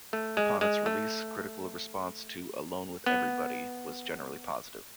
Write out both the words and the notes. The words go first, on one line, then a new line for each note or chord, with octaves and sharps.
Upon its release, critical response to "Alone with Everybody" was generally positive.
A3
G#3
G#3
A3
B3